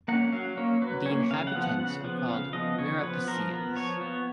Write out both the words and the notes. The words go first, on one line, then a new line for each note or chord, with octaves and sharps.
The inhabitants are called "Mirapiciens".
A#3 C#4 F#5
F#3 F5
A#3 C#4 C#5
F#3 B4
A#3 C#4 C#5
C#3 F5
F#5
F3 B3
F#5
C#3 F#5
F3 B3
C#3 F5
F3 B3 D#5
C#3 C#5
F3 B3 B4
F3 A#4
B3
F3 C#5
B3